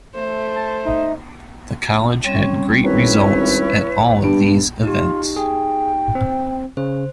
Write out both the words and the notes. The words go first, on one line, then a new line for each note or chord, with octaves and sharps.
The College had great results at all of these events.
A3 C5
A5
D#4 E5
G3 C4 C#4 C#5
G#1 E4 B4 C#5
G2 B3
D#4 F4 G4
G#4 G5
C4
C#3 C5